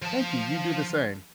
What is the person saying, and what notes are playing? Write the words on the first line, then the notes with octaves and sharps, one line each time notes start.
Thank you. You do the same.
F3 A5